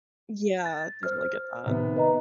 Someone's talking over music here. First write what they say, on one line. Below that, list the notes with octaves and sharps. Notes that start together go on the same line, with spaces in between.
Yeah, definitely get that.
A6
C5 F6
C3 D#3 B3
B4 D#5 A#5